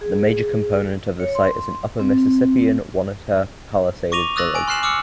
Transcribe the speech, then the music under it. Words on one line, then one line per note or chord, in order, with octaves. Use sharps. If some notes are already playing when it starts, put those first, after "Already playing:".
The major component of the site is an Upper Mississippian Oneota palisaded village.
G#4
C#5
C6
C4
C#6 D6 A#6 D#7 F7
D#6 E6 F#6 A6 A#6 F#7
G#5 D7
C6 F6 F#6 C7 E7 F#7
D6 E6 F6 C#7